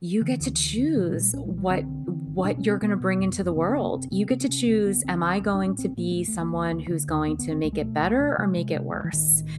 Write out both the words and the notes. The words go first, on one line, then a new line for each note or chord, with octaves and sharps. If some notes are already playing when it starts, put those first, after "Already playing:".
you get to choose what what you're going to bring into the world. You get to choose, 'Am I going to be someone who's going to make it better or make it worse?'"
D3 E3
D2
D3
D3
A#2 F3
F#3
A#2
G3
B1 C#4
G#3
B1
G3
D3 C4
D3
D3
G1
C#4
B2 D4
C#4
B2
C4
B2 B3
B2
F2
F#1
C4
C#3 B3
C#4
F#1
A#3
C3 C4
C3 C4
C3 B3
C4
C3 C#4
D2 C4
D3 B3
D2 C4
D2
A1
D4
A2
C#4
A1 C4
A2 A#3
A#3
D2 A3
A3
D2
A#3
D2
D2
D3
D#2
D3 B3
B3
F1
C4
C#2 A3
G#3
B2 A3
C#2
B2
C3 G#3
C3
C3
D2
E3
A1 D#3
A1